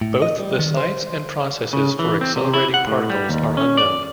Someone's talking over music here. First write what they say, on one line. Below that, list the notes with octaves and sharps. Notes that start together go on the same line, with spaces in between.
Both the sites and processes for accelerating particles are unknown.
A2
D#5
G3
D#3
C5
C#3
E3
C4
C3
E4
F#5
A2
G3
D#2
C#4
D5